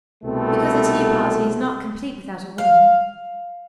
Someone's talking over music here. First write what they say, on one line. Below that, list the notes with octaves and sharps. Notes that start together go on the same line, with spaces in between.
"Because a tea-party is not complete without a woman."
C2 B2 A3 C4 A4
F5